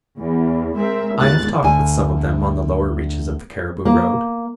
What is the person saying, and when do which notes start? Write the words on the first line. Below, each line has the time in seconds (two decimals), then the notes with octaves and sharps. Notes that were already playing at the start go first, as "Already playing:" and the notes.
I have talked with some of them on the lower reaches of the Cariboo Road.
0.17 E2
0.76 G#3 C4 A#4 E5
1.16 G1 D#2 G#2 F#6 A6
1.63 D2 G#5
3.85 A#3